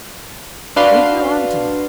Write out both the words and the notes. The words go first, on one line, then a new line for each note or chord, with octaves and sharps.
"Wave your arm to them."
D4 F#4 B4 F5 C6